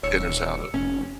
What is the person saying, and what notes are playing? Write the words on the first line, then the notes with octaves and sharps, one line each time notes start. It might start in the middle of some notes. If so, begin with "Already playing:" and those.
dinners out of.
D#1 C#5 E6 C#7
F1 C#4